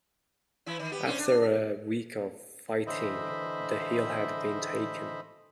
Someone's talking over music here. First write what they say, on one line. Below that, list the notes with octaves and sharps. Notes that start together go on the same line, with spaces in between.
After a week of fighting, the hill had been taken.
E3 E4
D#3
B3 G4
C#4 D4 C5
D4
D3 E3 C5 D#5 E5 B5